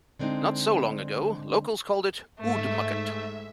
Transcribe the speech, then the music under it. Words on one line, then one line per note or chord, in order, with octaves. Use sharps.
Not so long ago locals called it Oodmucket.
D3 G#3 C4 D4 D#4
G#2 A3 E5